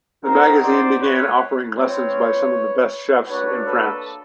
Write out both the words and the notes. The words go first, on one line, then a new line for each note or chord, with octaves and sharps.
The magazine began offering lessons by some of the best chefs in France.
C4 D#4 F#4 A#4 C5
C5 D5
B4 C#5
C4 F4 B4 C#5
A#3 D4 F#4 B4 C#5
A4 B4